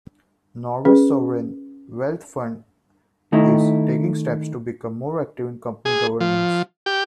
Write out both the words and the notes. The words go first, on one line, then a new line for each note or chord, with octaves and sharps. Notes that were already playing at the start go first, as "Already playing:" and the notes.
Norway's sovereign wealth fund is taking steps to become more active in company governance.
C#4 G#4 B4
D#3 A3 D#4 E4
G#4
F3
G4